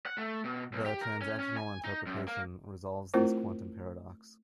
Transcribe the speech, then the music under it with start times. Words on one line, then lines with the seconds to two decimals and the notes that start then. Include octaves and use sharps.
The transactional interpretation resolves this quantum paradox.
0.06 F#5
0.18 A3
0.45 B2
0.73 B1
0.85 G4
1.01 A#4
1.21 C#4
1.39 C#4
1.57 G#5
1.84 D#4
2.06 F#2
2.28 A#3
3.14 A3 C4 E4 F4 A#4 C5